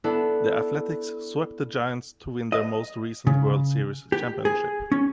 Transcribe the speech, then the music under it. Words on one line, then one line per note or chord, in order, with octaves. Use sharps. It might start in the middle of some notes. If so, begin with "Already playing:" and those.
The Athletics swept the Giants to win their most recent World Series championship.
B3 D4 E4 A4
D#5
C#3
G4
G#4
C#4